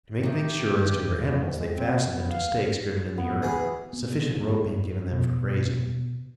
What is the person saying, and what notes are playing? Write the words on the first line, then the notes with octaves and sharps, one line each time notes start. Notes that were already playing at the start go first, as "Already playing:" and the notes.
To make things sure as to their animals, they fastened them to stakes driven in the earth, sufficient rope being given them for grazing.
A2 D#3 G4
G#3
C4
F2
B3
F5
G3
B3
E3 F#4 G#4 B5
B3
B2